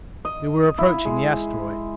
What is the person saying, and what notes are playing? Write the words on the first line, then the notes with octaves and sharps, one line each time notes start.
We were approaching the asteroid.
D#5
E4
G#3